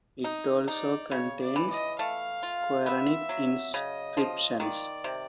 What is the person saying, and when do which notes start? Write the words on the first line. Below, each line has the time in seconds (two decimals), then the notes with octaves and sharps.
It also contains Qur'anic inscriptions.
0.24 D#4 D#5
0.68 D#4 D5
1.11 C#3 C#5
1.41 D5
1.56 E3
1.70 D#5
1.99 A3 F5
2.43 F4
2.86 B3 E5
3.29 F#3
3.74 C#3 D#5
4.17 F3
4.60 D#3 D5
5.04 C3